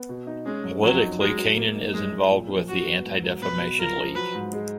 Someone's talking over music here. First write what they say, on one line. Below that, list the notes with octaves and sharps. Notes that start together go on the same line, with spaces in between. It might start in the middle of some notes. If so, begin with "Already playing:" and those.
Politically Kanan is involved with the Anti-Defamation League.
Already playing: B3
B2
D#4
G#3 C#4
F#2
F2 F#3
D#4
F#3 G#3
F#3
A#3
D#4
F#2 G#3
F#2
A#2
F3
F#3 F#4
B3
G#2
F#3
B2 B4
B2
F4 A#4
F3
F#3 B4
G#2
G#3